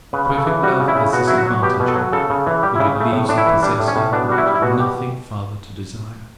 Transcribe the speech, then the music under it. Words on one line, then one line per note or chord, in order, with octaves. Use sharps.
Perfect love has this advantage in it, that it leaves the possessor of it nothing farther to desire.
C#3 B4
C#3
A4
E3
G3 F#4
C#3
E4
C#3
B2 F#4
F#3 E4
F#4
F#3
B2 G4
B2
A4
F#3
C#3 A4
C#3
E3
G3 G4
C#3 E4
C#3 A3
A2
A2 D4
E4
E3
G3 D4
A2
C#4
A2
B2 D4
G3 F#4
E4
G3
E4
B2 F#4
B2 G4